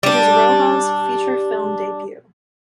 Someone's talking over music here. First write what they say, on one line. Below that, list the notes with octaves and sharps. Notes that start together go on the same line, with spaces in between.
It is Rohal's feature film debut.
G3 D4